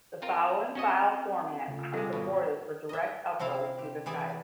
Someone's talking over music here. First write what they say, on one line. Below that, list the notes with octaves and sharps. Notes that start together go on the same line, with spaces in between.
The following file formats are supported for direct upload to the site.
C4 F4 A#4
C4 C#4 F#4 D#5
C#3 A3 F4
C3 G3 G#3 F4 A4
G#1 B2
D#5 E5
C3 C4 E4 F4 F5
G4
E3 G#4 D5 E5